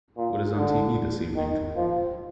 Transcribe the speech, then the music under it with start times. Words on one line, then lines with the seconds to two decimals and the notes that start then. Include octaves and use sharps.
What is on TV this evening?
0.17 A#2
0.56 D3
1.36 D#3
1.76 F3